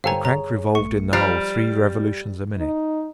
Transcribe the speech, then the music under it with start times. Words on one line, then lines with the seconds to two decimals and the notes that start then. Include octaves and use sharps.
The crank revolved in the hole three revolutions a minute.
0.04 G1 A4 C5 C#5 F5 G5 G#5 A#5
0.25 G#4 C#5 A#5
0.75 A#1 A3 C#6 C#7
1.13 F3 G3 A#5 F6 F#6 C7
2.58 D#4